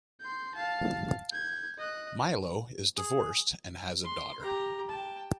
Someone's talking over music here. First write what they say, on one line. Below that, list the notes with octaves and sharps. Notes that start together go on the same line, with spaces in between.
Milo is divorced and has a daughter.
C6 G6
F5 A5
G6 G#6
D#5 F#6
G#4
C6
G4 A#5
G5 A5